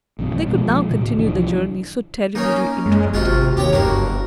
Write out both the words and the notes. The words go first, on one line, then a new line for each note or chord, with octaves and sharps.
They could now continue the journey so terribly interrupted.
A#1 E2 G2 B2
E3 G3 A3
B1 B2 F3 G#3
D2 A2 D3
C2 E3 F3 D4
A#3 C#4 D#4
F#2 G#3
G#1 C3 F4 F#4
D#2 G4 C#5
F#1 G2 A#3 F#4